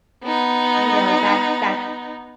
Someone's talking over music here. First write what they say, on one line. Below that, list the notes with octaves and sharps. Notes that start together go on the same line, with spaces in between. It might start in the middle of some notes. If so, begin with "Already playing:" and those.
you know, that's that's
B3 D#4